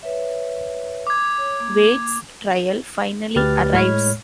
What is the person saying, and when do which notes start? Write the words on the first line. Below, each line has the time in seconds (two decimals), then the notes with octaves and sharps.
Wade's trial finally arrives.
0.03 B4 C#5 E5
1.07 D6 G#6
1.38 C#5
1.60 A#3
3.36 D2 G4 B4 F6 A6
3.73 A2 G#3 C#5 B5 F6 G#6